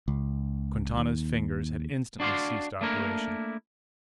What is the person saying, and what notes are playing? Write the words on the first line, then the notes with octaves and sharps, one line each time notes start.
Quintana's fingers had instantly ceased operations.
C#2
D#2
D4 F#4 D5 F5 C6
A3 A#3 D4 E4 A#4